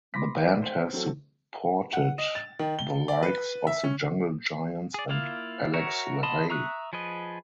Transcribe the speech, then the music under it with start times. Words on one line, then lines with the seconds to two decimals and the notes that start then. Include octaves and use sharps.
The band has supported the likes of the Jungle Giants and Alex Lahey.
0.14 B5 C6 D6 A#6 B6
0.41 B4 D5
0.62 C5
0.93 F#3 C4 E4 A4
1.93 F#5
2.18 D#5
2.35 A6
2.59 D#3
2.79 G7
3.08 D5
3.23 B4
3.67 E5
3.84 C#4
4.94 G#4 D5
5.09 A#3 E4 F4 F5
5.74 F#4 A#4 C#5 E5
6.23 D#5 A5 B5 C6 D#6
6.49 E5 A#5 C#6 D#6 F#6
6.93 F3 G#4 B4 D#5